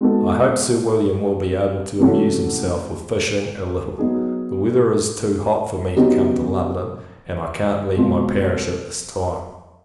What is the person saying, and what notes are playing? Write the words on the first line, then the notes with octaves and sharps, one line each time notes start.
I hope, Sir William will be able to amuse himself with fishing a little. The weather is too hot for me to come to London, and I can't leave my parish at this time.
G#3 B3 D#4 F#4 A4
C3 E3 A3 C#4 F#4
F#3 B3 D#4 G#4
C#3 F#3 B3 D#4 G4
B2 G#3 C4 F4